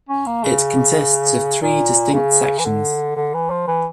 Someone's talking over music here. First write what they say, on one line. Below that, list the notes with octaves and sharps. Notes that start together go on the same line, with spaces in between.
It consists of three distinct sections.
C#4
A#3
C#3
A#2
C#3
E3
D3
D3
E3
F3
E3